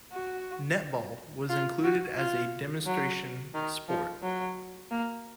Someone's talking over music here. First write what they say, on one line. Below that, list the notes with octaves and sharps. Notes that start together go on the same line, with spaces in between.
Netball was included as a demonstration sport.
F#4
F4
F#4
F4
F#3
D#3
F3
F#3
A#3